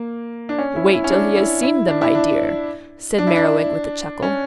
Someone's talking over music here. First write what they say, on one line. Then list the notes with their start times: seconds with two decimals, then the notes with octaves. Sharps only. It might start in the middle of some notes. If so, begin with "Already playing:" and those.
"Wait till he has seen them, my dear," said Merriwig with a chuckle.
Already playing: A#3
0.49 D4
0.58 C#4
0.76 E4
0.93 E4
1.04 C#4
1.10 D4
1.36 E4
1.63 E4
1.88 D4
2.01 E4
2.15 D4
3.18 D4
3.27 E4
3.36 D4
4.22 C#4